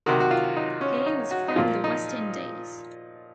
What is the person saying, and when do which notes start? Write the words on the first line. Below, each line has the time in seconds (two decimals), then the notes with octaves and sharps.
He was from the West Indies.
0.06 C3 D#3 F#4
0.20 F#4
0.31 F4
0.56 D#4
0.81 C#4
0.97 C#4
1.06 D#4
1.31 F#4
1.48 D#4
1.56 A#2 F3 F4
1.84 D#4